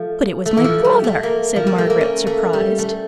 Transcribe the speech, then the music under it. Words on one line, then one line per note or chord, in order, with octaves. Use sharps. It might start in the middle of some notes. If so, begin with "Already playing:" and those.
'But it was my brother!' said Margaret, surprised.
Already playing: F3 A3
A3
E3
F3
G3
A3
A#3
F3
G3
A3
A#3
C#4
A3
G3
A3